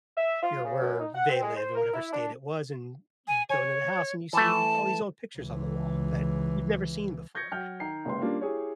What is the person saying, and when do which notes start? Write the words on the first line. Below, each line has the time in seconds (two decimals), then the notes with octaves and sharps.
you're where they live, and whatever state it was, and you go into the house, and you see all these old pictures on the wall that you've never seen before,
0.16 E5
0.41 F4
0.65 C#3
0.80 F#2
0.98 D#4
1.13 F#5
1.29 C4
1.41 G#3
1.56 C5
1.75 A#4
1.94 E4
2.12 D4
3.28 G#5
3.49 C#5 G#5
4.33 E3 A3 A5
5.38 C#2 E3
7.35 C#6 G6 G#6 A#6 C#7
7.51 F#3 G5 F6 G6
7.80 D#3 G5 A#5 C7
8.05 F#1 C#2 B4 G5 C6
8.21 G3 A#3 C#4 D4 F4
8.41 E4 G4 G#4 C#5